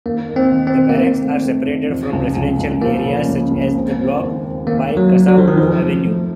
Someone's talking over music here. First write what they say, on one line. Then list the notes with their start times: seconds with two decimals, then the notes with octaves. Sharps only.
The barracks are separated from residential areas such as the "Block" by Kasavubu Avenue.
0.06 D#2 A#3
0.28 D#4
0.36 C4
0.52 D#3
0.67 C4
0.75 D#3
0.89 A#3
0.98 D#3 C4
1.21 A3
1.44 A3
1.67 D#2
1.90 F3
2.13 C#2
2.36 C#2
2.59 C#2
2.82 F3 A#3
3.06 C#3
3.28 C#2
3.51 C#2
3.74 C4
3.98 C4
4.21 D#2
4.44 C4
4.67 D#3 A#3
4.90 A3
4.97 F#3
5.13 C4
5.28 F#3
5.36 D#2 F3
5.48 D#3
5.57 F2 F3
5.82 A3
6.05 A3